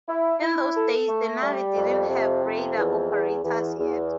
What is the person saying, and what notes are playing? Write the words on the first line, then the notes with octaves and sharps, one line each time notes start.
In those days the Navy didn't have Radar Operators yet.
E4
E4
A4
A3
G3
F2
C3
F2
E2
E2
E2
E2